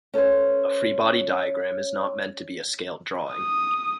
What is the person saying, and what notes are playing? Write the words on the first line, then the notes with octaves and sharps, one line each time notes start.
A free body diagram is not meant to be a scaled drawing.
C#4 A4 B4 C5
D#6